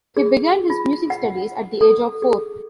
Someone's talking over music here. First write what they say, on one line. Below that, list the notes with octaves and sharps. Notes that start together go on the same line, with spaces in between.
He began his music studies at the age of four.
G#4
F4
F#5
A4
G#4